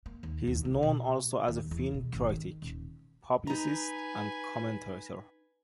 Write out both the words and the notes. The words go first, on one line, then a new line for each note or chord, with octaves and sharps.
He is known also as a film critic, publicist and commentator.
A#3
D#2
D#2
C2
B2
D#2
E2
B2
G#1
D#3
D#1
D#4 B4 G#5 A#5